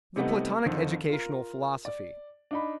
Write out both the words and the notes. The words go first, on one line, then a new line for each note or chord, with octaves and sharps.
The Platonic Educational Philosophy.
C3 G3 A3 B3 D#4
F2 D3 D#3 C4
F4 A#4
D5
D4 D#4 B5